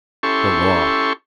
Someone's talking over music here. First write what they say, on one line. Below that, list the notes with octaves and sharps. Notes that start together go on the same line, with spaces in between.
The Law.
C#4 E4 G4 A4 C6 C#6